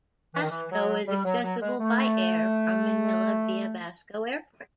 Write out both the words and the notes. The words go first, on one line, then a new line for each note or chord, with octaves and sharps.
Basco is accessible by air from Manila via Basco Airport.
E3
D#3
E3
F#3
G3
F#3
F#3
G#3
A3